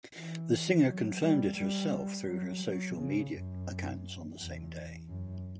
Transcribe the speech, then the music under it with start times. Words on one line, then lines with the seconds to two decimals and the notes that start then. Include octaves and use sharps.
The singer confirmed it herself through her social media accounts on the same day.
0.15 E3
0.85 F#3
1.21 G3
1.56 G3
2.27 F#3
2.62 F#3
2.96 C#3
3.32 F#2
4.37 E2
5.08 F#2